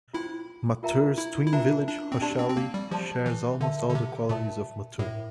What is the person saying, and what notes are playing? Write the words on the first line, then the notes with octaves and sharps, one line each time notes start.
Mattur's twin village, Hosahalli, shares almost all the qualities of Mattur.
E4 F4 C5 G5 C6
F4 A#4 E5 G5 A#5
E4
E4
D4 F4 A#4 E5 G5 A#5
D4
C4
D4 G4 D5 A5 C6
C4
C4
A#3
G3
F3 G4 D5 A5 C6
E3
D3 A#4 E5 A5
D3
C3
A#2 A#4 E5 A5
A2 A#4 E5 G5